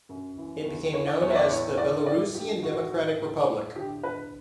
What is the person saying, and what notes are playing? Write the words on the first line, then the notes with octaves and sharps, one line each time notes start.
It became known also as the "Belarusian Democratic Republic".
F#2
E3
E2
E3 C#5
D5
E2 C#5
E5
D5
A2 C#5
A2 D5
E3 D5
G2 G4
A2 F#4
A2
A2
A2
D3 G4
D3 B4